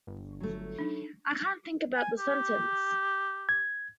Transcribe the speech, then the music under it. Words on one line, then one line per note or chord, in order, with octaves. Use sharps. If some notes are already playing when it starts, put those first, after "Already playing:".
I can't think about the sentence.
G1
F#3 A3
D4 D#4
G#5
G4
G#6